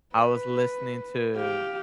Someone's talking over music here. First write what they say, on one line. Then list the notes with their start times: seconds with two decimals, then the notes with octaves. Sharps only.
I was listening to
0.16 B4
1.36 G4 F5